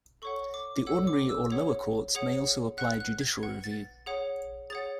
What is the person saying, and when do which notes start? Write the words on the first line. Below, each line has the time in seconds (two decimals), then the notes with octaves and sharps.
The ordinary or lower courts may also apply judicial review.
0.22 A4 C#5 F#5 C#6
0.54 D6
0.86 A4 C#5 F#5 E6
1.07 D6
1.29 E6
1.50 G#4 C#5 F#5
2.15 G#4 C#5 F#5
2.78 B4 F#5 F#6
3.00 F#6
3.21 G#6
3.43 B4 F#5
3.64 A6
4.06 G#4 C#5 F#5
4.70 G#4 C#5 F#5 A6